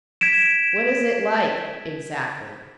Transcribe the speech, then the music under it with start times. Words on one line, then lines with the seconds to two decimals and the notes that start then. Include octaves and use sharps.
"What is it like--exactly?"
0.21 G#6 B6 D7 E7